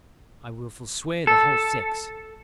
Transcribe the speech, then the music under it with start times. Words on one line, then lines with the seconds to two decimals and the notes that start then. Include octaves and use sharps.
I will forswear the whole sex.
1.27 A4